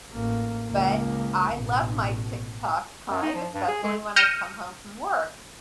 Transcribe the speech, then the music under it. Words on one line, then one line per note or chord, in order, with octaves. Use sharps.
but I love my TikTok time, especially when I come home from work,
A1 A#3
C#2 A#3
A1 B2
F#2
D#4
F3
G2
G#4
G#3
F6 G6 A#6 C#7 D#7 E7